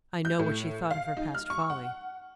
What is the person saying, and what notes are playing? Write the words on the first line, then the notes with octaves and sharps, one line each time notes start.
I know what she thought of her past folly.
G6
A2
F5
D#4
F6
C#6
F#5